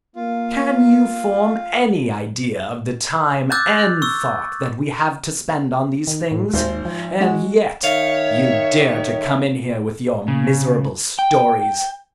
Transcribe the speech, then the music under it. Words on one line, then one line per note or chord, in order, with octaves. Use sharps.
Can you form any idea of the time and thought that we have to spend on these things, and yet you dare to come in here with your miserable stories.
A#3 F4
D6 E6 F#6 G6 A6
C#6 E6
D#3
A2
G#1 D#2 C5
F3
G#3 F#4 F#5
D#3 C#5 E5 F5
C#3
G5